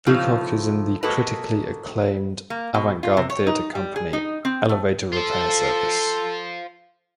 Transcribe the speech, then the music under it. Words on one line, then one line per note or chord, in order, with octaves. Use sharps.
Boocock is in the critically acclaimed avant-garde theatre company "Elevator Repair Service".
A2 C#3 F3 A3 D#4 F4
A#3 F#4 G#4 A4 B4 D#5
A#3
B2
F4
C3
C#5
D#4
G3
G#4
D#4
C4
A3
F4 A4 C5